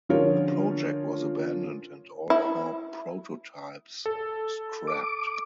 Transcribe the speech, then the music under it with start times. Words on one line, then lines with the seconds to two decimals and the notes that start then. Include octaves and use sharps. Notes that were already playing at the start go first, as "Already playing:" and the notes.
The project was abandoned and all four prototypes scrapped.
0.09 D3 F3 C#4 F4 A#4 C#5
2.30 E4
4.06 A4
4.87 D6